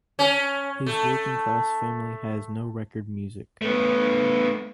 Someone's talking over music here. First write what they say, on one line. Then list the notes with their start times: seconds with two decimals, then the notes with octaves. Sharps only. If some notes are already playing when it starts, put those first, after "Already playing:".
His working-class family has no record music.
0.19 C#4
0.86 A3
3.62 A3 B3